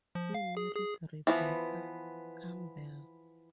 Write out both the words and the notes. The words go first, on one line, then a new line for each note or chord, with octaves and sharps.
He married Rebecca Campbell.
F3
F5
G#4
G#4
E3 F3 B3